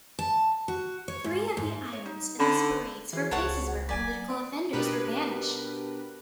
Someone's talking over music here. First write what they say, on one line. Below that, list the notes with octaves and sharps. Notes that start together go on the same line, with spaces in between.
Three of the islands in the Sporades were places where political offenders were banished.
A5
F#4
C#5
G#2
G#2
C#5
D#4
D3 C#4 D#4 B5
E3 F#4 G#4 C5
C#2 C#5 F#5 A5
F#3 A#3 D5 G#5
B3 D5
B2 B3 D4 G4 A#4 B4